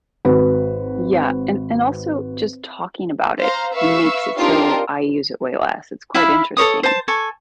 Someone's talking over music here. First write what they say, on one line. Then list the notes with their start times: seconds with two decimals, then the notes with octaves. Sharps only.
Yeah, and and also, just, talking about it makes it so I use it way less. It's quite interesting.
0.25 G#1 F#4 B4
3.42 C5 F5 A#5
3.75 B4 E5 F5 C#6 E6
4.37 C4 D4 D#4 F4 G4 A#4
6.14 E4 E5 F5 B5
6.57 A4 A#4 C#5 D#6
6.83 C5 A5
7.08 A4 G#5 C#6